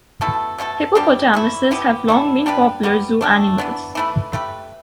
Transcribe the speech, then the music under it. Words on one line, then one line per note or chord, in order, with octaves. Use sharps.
Hippopotamuses have long been popular zoo animals.
B2 A3 E4 A4
B2 A3 E4 A4
B2 G3 D4 G4
E3 A3 E4
B2 B3 E4 G4
G3 E4 A4
G3 D4 G4 B4
G3 B3 G4
A3 D4 G4
E3 B3 D4
E3 A3 E4 B4
A3 G4 B4